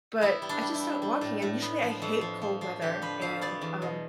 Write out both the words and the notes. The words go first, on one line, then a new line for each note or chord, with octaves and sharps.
but I just started walking, and usually I hate cold weather, and, um,
B3 E4
G3
D4
G3
E4
G3
G3
A2
A2
B3
F3
F2
F3
F3
F3
D3 G4
F3 B4
F2 F5
B3 D5
E2
B2